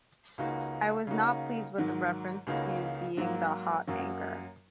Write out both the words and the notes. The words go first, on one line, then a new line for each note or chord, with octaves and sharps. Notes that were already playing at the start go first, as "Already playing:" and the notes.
I was not pleased with the reference to being the 'hot anchor'.
C#2 C#3 A#3 D#4 F#4
C#3 A#3 D#4 F#4
G#2 D#3 F#3
C#2 C#3 A#3 D#4 F#4
G#2 F#3 A#3
F#2 F#3 A#3 F#4